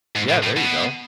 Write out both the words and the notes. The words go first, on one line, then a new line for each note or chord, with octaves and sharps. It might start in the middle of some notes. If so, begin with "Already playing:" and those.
Yeah, there you go.
G#2
A2
A2
B2